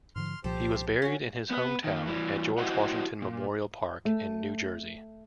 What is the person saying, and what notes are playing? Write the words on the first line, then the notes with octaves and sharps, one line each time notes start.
He was buried in his hometown at George Washington Memorial Park in New Jersey.
G#2 D3 F3 C6 F6
C2 A#2 F3 G4 A4 C5
C#4 F#4 C#5
B3 B4
D#3 A#3
E3 G3
E4 F#4 G4 C5 D#5 F#5
A#2
A3